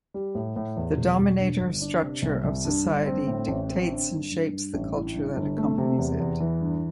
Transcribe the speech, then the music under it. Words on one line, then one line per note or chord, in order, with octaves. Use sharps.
The dominator structure of society dictates and shapes the culture that accompanies it.
G3
A2
A2
E2
E1
E1
G2
G1
D4
C3
C2
C2
G2
G1
C4
A2
A1
C4
D3
G2
G2
G2
A1
E4
G2
G1
A3
C3
E2
E2
E3
G2